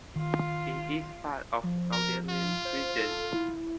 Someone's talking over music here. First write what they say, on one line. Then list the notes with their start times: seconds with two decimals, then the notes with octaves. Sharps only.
It is part of the Gauldalen region.
0.16 D#3 F4
1.63 F3
1.92 A#4
2.30 F4
2.65 C5
2.99 A4
3.34 E4